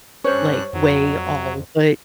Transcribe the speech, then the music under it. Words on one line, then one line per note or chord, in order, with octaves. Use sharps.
like, way all. But,
G2 C#4 C5 C#5 F#6
F2 F#3